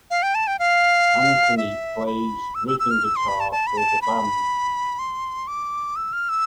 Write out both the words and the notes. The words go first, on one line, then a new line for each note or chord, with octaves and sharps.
Antony plays rhythm guitar for the band.
F5
G5
A5
G5
F5
E5
B5
E6
E6
E6
F6
E6
C6
B5
A5
A5
B5
A5
B5
C6
D6
E6
F6
E6